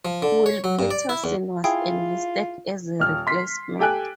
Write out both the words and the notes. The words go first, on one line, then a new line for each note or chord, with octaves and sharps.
Will Patterson was enlisted as a replacement.
F3
D3
C#5
F#3
G2
D5
E4
E2
E4 F4 G#4 G5
D#1 F6
C6 B6 C7
G4 A4 G5 G#5 F#6